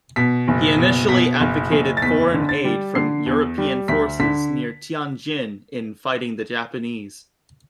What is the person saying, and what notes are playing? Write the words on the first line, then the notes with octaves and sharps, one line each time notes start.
He initially advocated foreign aid from European forces near Tianjin in fighting the Japanese.
B2 B6
F#1
B2
B2 B6
F#1
F#1
A6
E2 B6
D3
A6
G3
D3 C7
E2
G3
D2 B6
D3 B6